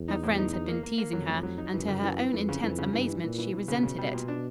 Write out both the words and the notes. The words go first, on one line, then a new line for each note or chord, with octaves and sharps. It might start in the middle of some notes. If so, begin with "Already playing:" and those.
Her friends had been teasing her; and, to her own intense amazement, she resented it.
Already playing: E2
D#4
A2
D#4
D#4
A#3
A#3
A#3
F2 F#3
A2
F#3
D#4
F#2 E3
C#3
E3
E3
F2 E3
C#3
F2 E3
C#3
G2 E3
E3
A#2 E3
E3
B2 E3
C#3
C#3
G3
A#2
D4